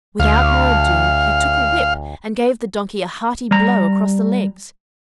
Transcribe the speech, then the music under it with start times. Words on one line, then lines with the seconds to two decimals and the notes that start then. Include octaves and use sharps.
Without more ado, he took a whip and gave the Donkey a hearty blow across the legs.
0.20 D2 F5
3.51 G3 A#5